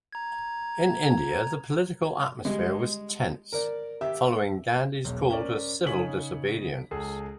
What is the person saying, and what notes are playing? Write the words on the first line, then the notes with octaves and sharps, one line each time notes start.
In India, the political atmosphere was tense, following Gandhi's call to civil disobedience.
A#5 G#6
G3 G#3
A#4 D5
G4 E5
E1 B1
C#4 A#4 C5 D5
C#3 D#4 C#5 G#5 B6 F#7
C#2 G#4 A4